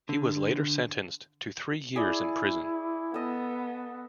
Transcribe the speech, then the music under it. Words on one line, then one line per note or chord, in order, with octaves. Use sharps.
He was later sentenced to three years in prison.
D3
E4 G#4 D5
B3 A4 D#5